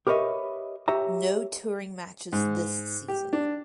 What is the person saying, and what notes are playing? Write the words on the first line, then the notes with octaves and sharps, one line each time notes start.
No touring matches this season.
G4 A#4 B4 C#5 D#5 E5
G4 C#5 E5 A#5
G#2
G4
D4